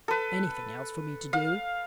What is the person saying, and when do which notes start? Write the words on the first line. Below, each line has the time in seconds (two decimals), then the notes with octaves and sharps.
"Anything else for me to do?"
0.08 A4 B4
1.33 F5